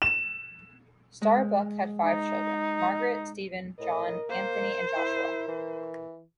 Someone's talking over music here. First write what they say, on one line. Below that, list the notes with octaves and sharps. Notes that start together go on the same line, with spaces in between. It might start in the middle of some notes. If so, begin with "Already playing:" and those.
Starbuck had five children: Margaret, Stephen, John, Anthony, and Joshua.
E7
G#3
D#4
A2 A#4 D#5
A#3 C5
E4
E3